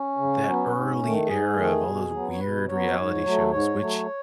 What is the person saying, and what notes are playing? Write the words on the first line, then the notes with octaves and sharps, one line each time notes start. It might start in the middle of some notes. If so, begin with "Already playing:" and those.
that early era of all those weird reality shows, which,
Already playing: C#4
C#3
F#3 B3
G#2
D#3 A3
G#2 G#4
D#3 A3
B2
F#3 B3
C#5
B2 B4
F#3 B3 C#5
G#2
F#3 A3
G#2 C#5
F#3 A3